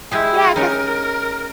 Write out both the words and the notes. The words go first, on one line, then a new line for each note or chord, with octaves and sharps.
Yeah, 'cause
G#3 E4 G4 G#4
C#4 D#4 A#4